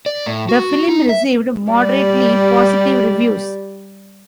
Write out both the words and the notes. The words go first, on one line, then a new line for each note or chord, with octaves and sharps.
The film received moderately positive reviews.
D5
A2
F#4
D#4
E5
G3 G4 D5